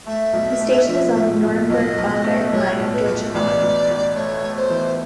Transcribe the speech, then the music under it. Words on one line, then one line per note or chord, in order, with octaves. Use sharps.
The station is on the Nuremberg–Bamberg line of Deutsche Bahn.
A3 E5
B1
A3
F3
A2
B1
B1 D#5
B1
A3
B1 C#5
A2
B4
B1
A1 D5
A1
A1
A3 C#5
A3
C5
E3